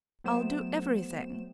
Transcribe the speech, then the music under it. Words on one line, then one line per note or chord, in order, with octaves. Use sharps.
I'll do everything.
F#3 A3 B3 C5 G5 E7